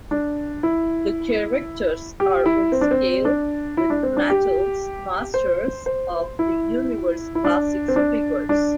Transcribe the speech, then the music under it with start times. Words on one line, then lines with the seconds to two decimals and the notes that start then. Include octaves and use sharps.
The characters are in scale with Mattel's Masters of the Universe Classics figures.
0.11 D4
0.63 E4
2.20 G4
2.46 E4
2.72 C4
2.81 D4
2.91 C4
3.25 D4
3.77 E4
3.90 D4
4.03 C4
4.17 D4
4.30 G4
5.34 C5
5.86 C5
6.39 E4
7.35 E4
7.44 D4
7.88 C4
7.96 D4
8.49 D4